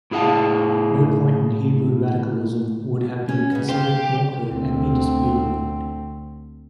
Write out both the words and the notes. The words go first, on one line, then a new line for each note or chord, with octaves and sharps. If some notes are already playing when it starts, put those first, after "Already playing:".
No point in Hebrew radicalism would have been considered more clear and indisputable.
A2 E4 G#4 E5 F5 A5
C#4
C#3 B3
G4 C5 F5
D2 C4